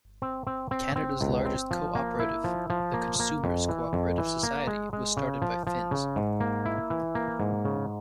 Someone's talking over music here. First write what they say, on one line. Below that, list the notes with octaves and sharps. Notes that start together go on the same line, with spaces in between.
Canada's largest co-operative, the Consumers' Co-operative Society, was started by Finns.
C4
C4
C4
C4
C#2
C4
F3
A#3
E4
F3
F3
A#3
A#3
F2
E3
F2
E3
A#3
G#3
G#3
C#3
F3
F3
C#3
G#2
A#3
E4
E3
A#3
G#2
C#3